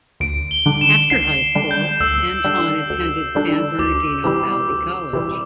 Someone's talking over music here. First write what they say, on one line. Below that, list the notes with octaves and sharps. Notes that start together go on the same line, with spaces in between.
After high school, Anton attended San Bernardino Valley College.
D2 D7
G7
D3 G3 D4
E7
D2 C7
D3 G3 D4
G6
D2 E6
D3 G3 D4
D2
D3 G3 D4
D2 D6
C3 E3 G3
D2
C3 E3 G3